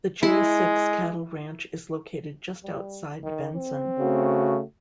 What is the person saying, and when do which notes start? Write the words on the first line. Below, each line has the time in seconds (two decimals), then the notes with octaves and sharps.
The Jay Six cattle ranch is located just outside Benson.
0.23 G#3 E4
2.63 G3
3.24 D#3
3.55 C4
3.99 C#3 A3 F#4